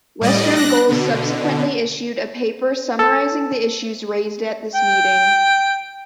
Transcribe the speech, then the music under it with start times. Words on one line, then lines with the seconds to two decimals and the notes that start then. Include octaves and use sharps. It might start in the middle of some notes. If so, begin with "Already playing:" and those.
Western Goals subsequently issued a paper summarising the issues raised at this meeting.
0.21 A2 G3 D5 D#5
0.56 D4 F#6 A#6
0.89 B2 D3
2.99 A4
4.75 G5